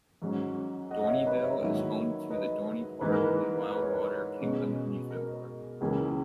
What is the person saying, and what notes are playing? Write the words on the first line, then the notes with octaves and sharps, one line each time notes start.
Dorneyville is home to the Dorney Park and Wildwater Kingdom amusement park.
G#2 F#3 C#4
D#5 F#5
D#5
C#5 E5
B4 D#5
C#5 E5
G#2 D#3 F#3 A#3 E4
B4 D#5
G#2 E3 A#3 D#4 B4
A#4
B4
B4
C#5
B4
B2 G#3 C#4
A#4
C#2 C#3 E3 A#3 C#4